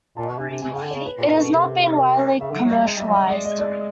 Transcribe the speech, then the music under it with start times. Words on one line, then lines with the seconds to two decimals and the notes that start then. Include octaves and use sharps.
It has not been widely commercialized.
0.17 A#2 A5
0.29 B2
0.39 C3 G#5
0.50 C3
0.62 C3 G#5
0.72 C#3 G5
0.84 D3
0.91 C#3 C#5
1.06 B4
1.18 A#2
1.21 B4
1.29 A#2 A#4
1.36 B2 A4
1.51 C3 A#4
1.96 A#4
2.40 C#3 E5
2.51 D3
2.63 F#3
2.71 G3 E5
2.85 G#3 D#5
2.97 G3 E5
3.07 F#3
3.15 G3 D#5
3.29 G#3 D5
3.45 D#5
3.60 D5